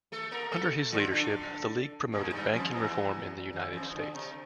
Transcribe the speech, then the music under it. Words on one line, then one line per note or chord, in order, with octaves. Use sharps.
Under his leadership the league promoted banking reform in the United States.
A3 A4
A#3 A#4
A3 A4
F3 F4
D3 D4
A#2 A#3
G2 G3
F2 F3
E2 E3
E2 E3
F2 F3
D3
C3